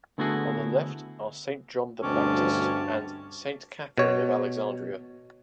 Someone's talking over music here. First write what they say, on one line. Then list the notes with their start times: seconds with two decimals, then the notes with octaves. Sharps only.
On the left are Saint John the Baptist and Saint Catherine of Alexandria.
0.18 D3 A3 B3 E4 F#4 G#4
2.03 D2 G2 B2 C4 C#4 A5 D6
3.98 B2 C#5